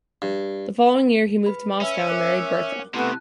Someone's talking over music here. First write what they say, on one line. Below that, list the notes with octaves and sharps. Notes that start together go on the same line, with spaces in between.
The following year, he moved to Moscow and married Bertha.
G2
B4 B5
C#4 E5
A#4 D6 F#6
C3 A3 B3 E4 A5 F#6